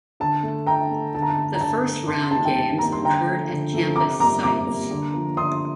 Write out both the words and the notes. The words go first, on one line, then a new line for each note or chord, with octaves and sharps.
The First Round games occurred at campus sites.
D3 A5
A3
D3 G5 A#5
A3
D3 A5
A#5
A5
A3
A#5
D3 A5
A3
C3 A5 C6
D#3 G3 A#3 A5
G5
C3 A5
D#3 G3 A#3 A#5
C6
D3 G5 A#5
F3 A3
D3
F3 A3
C3 A#5 D6
G3 A#3 A#5 D6
C3 A#5 D6
G3 A#3
D3
F3 A#3
D3 C6 D#6